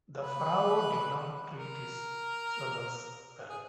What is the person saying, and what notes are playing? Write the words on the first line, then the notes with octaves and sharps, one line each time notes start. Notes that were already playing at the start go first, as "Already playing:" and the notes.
The pharaoh did not treat his servants well.
B4
A#4
G#4